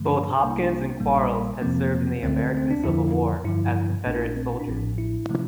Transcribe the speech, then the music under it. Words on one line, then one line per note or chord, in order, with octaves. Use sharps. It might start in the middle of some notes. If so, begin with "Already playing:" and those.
Both Hopkins and Quarles had served in the American Civil War as Confederate soldiers.
Already playing: G2 D3 F3 A3
D4
C2 C3 G3 A#3 D4
E4
D4
A#1 A#2 G3 A#3
F2 C3 F3 A#3 C4
D2 D3 A3 C4
C4
D4
F2 D3 F3 E4
G2 D3 F3 E4
A#1 A#2 A3 D4
E4
D4
C4
E4
D4
A1 A2 F3 C4
D4
E4
C3 F3 A3